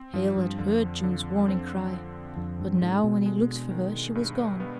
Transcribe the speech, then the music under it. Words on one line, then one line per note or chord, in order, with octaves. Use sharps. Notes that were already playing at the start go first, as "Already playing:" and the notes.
Hale had heard June's warning cry, but now when he looked for her she was gone.
Already playing: C4
G2 F3
G2
F2 D3
D3
C4
F3
F2 D3
G2
G#2 D3
B2
G#3
D#3
G2
B3